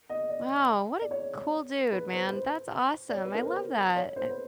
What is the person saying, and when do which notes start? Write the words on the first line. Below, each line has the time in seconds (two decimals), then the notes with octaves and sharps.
Wow, what a cool dude, man. That's awesome, I love that. And
0.09 D#5
0.29 D5
1.02 D5
1.11 C#5
1.92 B4
2.13 C5
2.28 B4
2.33 C5
3.10 D5
3.14 C#5
3.25 B4
3.35 A#4
3.45 C5
3.96 C#5
4.16 C5
4.30 B4